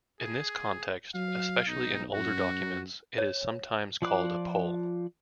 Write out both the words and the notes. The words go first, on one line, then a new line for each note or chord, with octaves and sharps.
In this context, especially in older documents, it is sometimes called a pole.
G#4
F#3 F5
B1 D#4
F#2 F#4
C#5
F3 F4 D5 D6 F#6